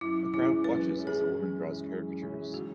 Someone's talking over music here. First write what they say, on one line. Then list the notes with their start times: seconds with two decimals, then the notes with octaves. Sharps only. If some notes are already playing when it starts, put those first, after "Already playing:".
A crowd watches as a woman draws caricatures.
0.01 F#2 E4
0.33 E3 G#3 C#4 E4
0.64 F#2 B4
0.96 E3 G#3 C#4
1.07 G#4
1.28 F#2
1.59 E3 G#3 C#4
1.90 F#2
2.22 E3 G#3 C#4
2.53 D#3 F#4